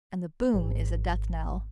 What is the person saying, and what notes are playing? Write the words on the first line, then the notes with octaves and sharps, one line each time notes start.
And the boom is a death-knell.
G#1